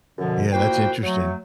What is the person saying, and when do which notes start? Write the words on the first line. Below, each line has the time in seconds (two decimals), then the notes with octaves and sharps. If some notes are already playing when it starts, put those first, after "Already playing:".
Yeah, that's interesting.
0.18 F#2 B2 D3 F3
0.53 A#2 A#3 E4 F#4 C5 G5
1.03 F#3 A3